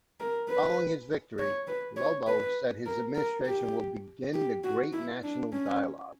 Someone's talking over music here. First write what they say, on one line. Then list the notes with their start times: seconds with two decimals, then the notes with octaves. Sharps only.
Following his victory, Lobo said his administration will "begin the great national dialogue".
0.20 A#4
0.49 B4
1.39 C#5
1.68 B4
1.97 C#5
2.27 B4
2.86 A#4
3.15 A#4
3.46 G4
4.34 G4
4.64 F#4
4.93 E4
5.23 D4
5.53 C#4